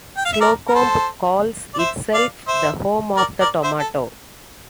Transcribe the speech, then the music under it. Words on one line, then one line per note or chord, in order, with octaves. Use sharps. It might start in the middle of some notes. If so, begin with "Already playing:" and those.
Slocomb calls itself the home of the tomato.
G5
F5
E5
A#4 D5
A#4
A4 C5
D5
C5 E5
D5 F5
C5 E5
A#4 D5
A#4 D5
C5 E5
A4